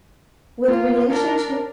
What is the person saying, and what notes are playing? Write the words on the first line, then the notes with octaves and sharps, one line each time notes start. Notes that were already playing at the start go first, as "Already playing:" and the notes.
With relationship
A#3 F4
D4 A#4